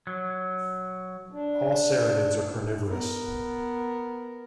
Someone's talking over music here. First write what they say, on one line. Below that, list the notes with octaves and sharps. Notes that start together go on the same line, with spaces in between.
All serranids are carnivorous.
F#3
D4
B3 A#4